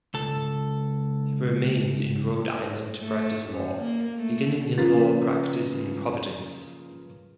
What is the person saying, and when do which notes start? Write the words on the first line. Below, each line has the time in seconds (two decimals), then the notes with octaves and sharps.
He remained in Rhode Island to practice law, beginning his law practice in Providence.
0.14 C#2 A4
2.99 A3
3.47 F#2
3.80 A#3
4.16 A3
4.78 C#3 F3 A#3 F4 B4 A6